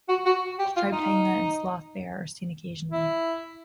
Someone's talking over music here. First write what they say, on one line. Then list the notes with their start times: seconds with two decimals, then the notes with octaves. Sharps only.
Striped hyena and sloth bear are seen occasionally.
0.09 F#4
0.26 F#4
0.59 G4
0.76 F4
0.92 D#4
2.91 E4